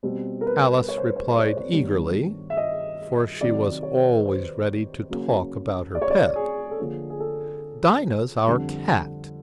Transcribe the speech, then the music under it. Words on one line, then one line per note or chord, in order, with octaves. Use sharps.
Alice replied eagerly, for she was always ready to talk about her pet: 'Dinah's our cat.
B2 G3 C4
A#4
B4
C#5
C5
B4
C5
D5
C#5
C5
C#5
G2 D#3 G3 B3 D4
E5
D#5
C3 D#3 F#3 D5
C#5
B4
C5
C#3 F#3 A#3 C#4
D5
C#5
D5
G#4
A4
D3 F3 A#3 D4 G#4
G#4
A4
F2 D3 G3